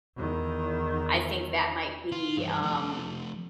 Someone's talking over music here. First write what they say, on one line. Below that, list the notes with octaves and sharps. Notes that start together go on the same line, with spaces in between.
I think that might be, um,
E2 D#3
F4
G2 E3
F2 A3